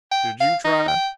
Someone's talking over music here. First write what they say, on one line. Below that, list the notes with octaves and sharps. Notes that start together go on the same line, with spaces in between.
Did you try?'
G5
F5
D#4
G5